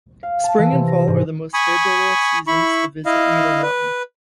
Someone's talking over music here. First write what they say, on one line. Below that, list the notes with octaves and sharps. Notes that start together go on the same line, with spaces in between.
Spring and fall are the most favorable seasons to visit Needle Mountain.
F5
A5
E3
C3
A#6
G#2
G#5 B5 C#6 D#6
E4 B5 C#6
E4 D#5 F5
B4